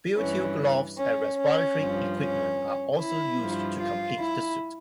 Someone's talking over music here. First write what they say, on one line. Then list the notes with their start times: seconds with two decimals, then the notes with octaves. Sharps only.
Butyl gloves and respiratory equipment are also used to complete the suit.
0.16 G2 E3 C#4
0.97 C#4
1.38 C#4
1.79 G2 F3
2.18 C#4
2.99 E4
3.39 G2 F3
3.79 F4
4.19 E4